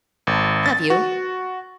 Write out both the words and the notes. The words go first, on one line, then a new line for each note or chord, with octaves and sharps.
"Have you?"
G#1
A6
F#4